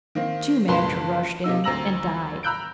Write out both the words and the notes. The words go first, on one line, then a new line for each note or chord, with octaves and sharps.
Two magter rushed in, and died.
D#3 A#3 C4
F#1 B1 A#4 B4 A5 C6
C3 A#3 D#4 E6
D2 C4 A#5 E6 A#6 F#7
A#5 B5 E6 F#6 G6 D7